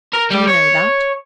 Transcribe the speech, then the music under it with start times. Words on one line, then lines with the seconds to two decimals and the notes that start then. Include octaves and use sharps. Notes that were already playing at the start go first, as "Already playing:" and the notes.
You know that.'
0.13 A#4
0.30 G3 D5
0.47 C#5